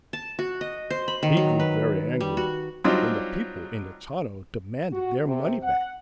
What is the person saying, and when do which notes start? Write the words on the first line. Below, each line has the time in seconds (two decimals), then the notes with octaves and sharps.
He grew very angry, and the people in the tonneau demanded their money back.
0.13 A5
0.39 F#4
0.61 D#5
0.90 C5
1.08 B5
1.23 D#3
1.37 F#3
1.60 B4
2.21 G3
2.37 F#4
2.84 F#3 G3 C4 D4 D#4 F4
4.93 F#4
5.26 C3
5.63 F#5